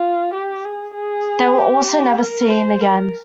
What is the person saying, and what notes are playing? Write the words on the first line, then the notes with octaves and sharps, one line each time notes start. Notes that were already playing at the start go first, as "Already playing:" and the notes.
They also were never seen again.
Already playing: F4
G4
G#4
G#4
G4
A#4
C5
A#4